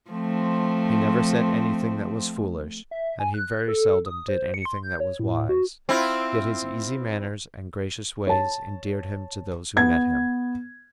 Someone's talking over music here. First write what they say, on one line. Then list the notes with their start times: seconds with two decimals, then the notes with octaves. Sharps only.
He never said anything that was foolish, and he very seldom did anything that was wise; yet his easy manners and gracious ways endeared him to those who met him.
0.10 F3 A3 C4
2.91 E5
3.20 G#5
3.34 F#6
3.68 A4
4.06 D#6
4.28 C5
4.54 C#7
4.65 C6
4.83 G6
5.00 C#5
5.19 A2
5.49 F#4
5.89 C4 E4 F4
8.27 C#5 A5
9.76 B3 G#6